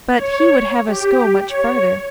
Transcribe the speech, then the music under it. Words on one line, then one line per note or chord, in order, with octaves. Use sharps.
But he would have us go much further.
C#5
G4
C#5